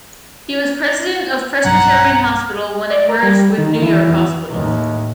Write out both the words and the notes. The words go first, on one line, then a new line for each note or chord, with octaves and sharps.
He was president of Presbyterian Hospital when it merged with New York Hospital.
B1 G2 F#3 F#5 A#5
D5
A#4
G3
D#3
E3
E2
D#2 A2